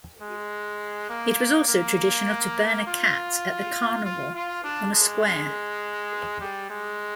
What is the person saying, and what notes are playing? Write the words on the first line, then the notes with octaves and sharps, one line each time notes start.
It was also traditional to burn a cat at the carnival on a square.
G#3
A#3
A#3
F4
F4
F4
D4
G#3
G3
G#3